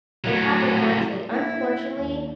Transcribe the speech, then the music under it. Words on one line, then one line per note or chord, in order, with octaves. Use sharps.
It happens naturally. Unfortunately,
A2 F#3
A#3 E4
D#2